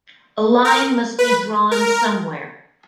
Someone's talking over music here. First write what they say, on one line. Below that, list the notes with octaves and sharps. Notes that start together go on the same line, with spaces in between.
A line must be drawn somewhere.
A#4
B4
A#4